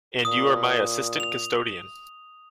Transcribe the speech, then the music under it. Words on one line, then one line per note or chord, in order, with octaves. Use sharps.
And you are my assistant-custodian.
A#2 D#6
F7